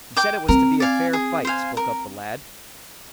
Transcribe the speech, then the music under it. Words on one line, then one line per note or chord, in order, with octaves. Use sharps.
"You said it was to be a fair fight," spoke up the lad.
G5 D6
C4 A#4
D5 F5 G#5
G#4
C5 F5 G#5
A#4